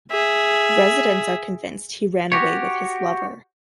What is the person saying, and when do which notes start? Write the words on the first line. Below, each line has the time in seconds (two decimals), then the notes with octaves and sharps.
Residents are convinced he ran away with his lover.
0.11 G#4 E5
2.32 F#4 G4 C#5